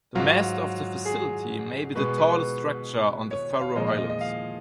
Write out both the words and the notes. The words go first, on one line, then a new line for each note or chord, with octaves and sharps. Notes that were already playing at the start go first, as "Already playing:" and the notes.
The mast of the facility may be the tallest structure on the Faroe Islands.
G#2 F#3 F4
G#4
B2 G#3 B4
B4
C#5
F5
A#2 F3 G#3 D#5
D#5
D#5
D#5
F5